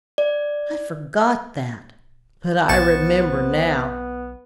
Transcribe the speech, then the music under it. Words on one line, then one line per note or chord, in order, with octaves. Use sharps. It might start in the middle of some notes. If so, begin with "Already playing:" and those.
I forgot that, but I remember now.'
D5
B1 B3 C5 A5 C#6